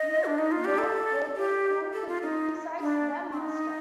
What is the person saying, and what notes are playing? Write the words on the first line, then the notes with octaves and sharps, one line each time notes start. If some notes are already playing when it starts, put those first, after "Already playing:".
You don’t go to school to criticize the master.
Already playing: D#5
D4
D#4
F4
G4
A4
G4
A4
F4
D#4
D4
D4
D#4